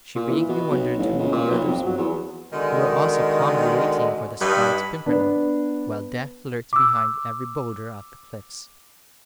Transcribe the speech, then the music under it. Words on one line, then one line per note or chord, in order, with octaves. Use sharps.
She vaguely wondered who the others were, who were also calmly waiting for the Scarlet Pimpernel, while death lurked behind every boulder of the cliffs.
A#2
E3
B2
B1
A1
C#2
A#2
B1
F2
F#3
E2
B2 D3 D#3 G#3
G2 D#4 B5
B3 D4
D6 E6